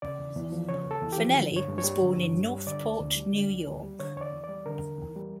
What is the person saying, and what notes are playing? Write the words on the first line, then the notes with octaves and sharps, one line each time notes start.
Fanelli was born in Northport, New York.
C#3 D5
E2
E2
F3
C#3 C#5
E2
A4
E2
G4
F3
D3
G2
C#5
G2
C#5
G3
D3
G2
G2
G3
D3 D5
D2
D2
G3
D3
D2
D2
G3
D3 C#5
E2 C#5 D5
E2
G3 D5
D3 A#4
E2
E2
G3